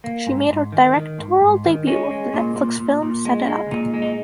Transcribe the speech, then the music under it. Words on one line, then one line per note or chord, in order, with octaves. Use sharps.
She made her directorial debut with the Netflix film "Set It Up".
A#3
G#2
G#2
D#3
D#3
G#2
G#2
D#3
G#3 C#4
G#3
A#2
A#2
A#2
A#2
G#3
G#3
A#2 D#4
G#3
D#4